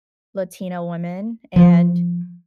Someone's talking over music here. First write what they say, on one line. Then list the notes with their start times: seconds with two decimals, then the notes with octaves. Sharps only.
Latino women, and,
1.56 F3